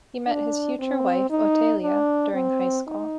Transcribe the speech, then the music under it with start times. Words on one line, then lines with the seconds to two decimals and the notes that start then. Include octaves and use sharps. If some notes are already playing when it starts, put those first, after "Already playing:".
He met his future wife, Otelia, during high school.
0.27 D4
0.79 C4
1.30 D#4
1.83 D4
2.34 C4
2.87 D#4